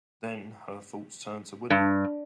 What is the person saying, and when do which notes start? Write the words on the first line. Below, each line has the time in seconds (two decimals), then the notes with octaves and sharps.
Then her thoughts turned to William.
1.70 G2